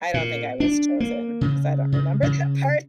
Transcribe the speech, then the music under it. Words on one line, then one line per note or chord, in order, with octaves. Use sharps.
I don't think I was chosen 'cause I don't remember that part.
A#2
D4
A#3
C#3
C#3
C#3